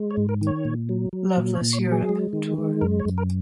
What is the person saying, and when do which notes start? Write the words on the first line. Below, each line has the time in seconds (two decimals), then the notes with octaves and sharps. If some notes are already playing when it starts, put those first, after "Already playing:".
Loveless Europe Tour.
Already playing: G#3
0.11 C#5
0.17 G#2
0.29 A#4
0.41 D#3
0.47 C#5
0.65 A#2
0.89 F#3
1.13 F#3
1.37 A#2
1.55 C#5
1.61 A#2
1.73 C#5
1.86 F#3
1.92 G#4
2.09 G#3
2.33 D#3
2.58 G#3
2.81 F#2 A#4
3.00 C#5
3.05 F#2
3.18 A#4